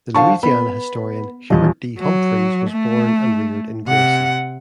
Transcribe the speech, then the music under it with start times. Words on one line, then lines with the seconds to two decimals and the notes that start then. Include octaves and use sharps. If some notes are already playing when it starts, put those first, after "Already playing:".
The Louisiana historian Hubert D. Humphreys was born and reared in Grayson.
0.15 D3 F3 F5 A5 C#6
0.43 B3 B5
1.50 D#1 E2 D#5
1.98 F#3
2.70 A3
3.87 C3 F#5